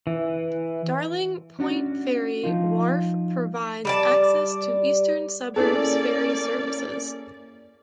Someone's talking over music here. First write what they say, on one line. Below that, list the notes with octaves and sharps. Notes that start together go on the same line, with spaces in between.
Darling Point ferry wharf provides access to Eastern Suburbs ferry services.
E3
C#4 D4 F#4
F3 D#4 F4
G3 D5 A5
A#3 C#4 E4 G#4 A4 D5